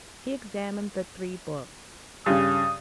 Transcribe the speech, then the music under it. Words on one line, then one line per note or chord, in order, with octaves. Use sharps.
He examined the three books.
G2 C#3 D#6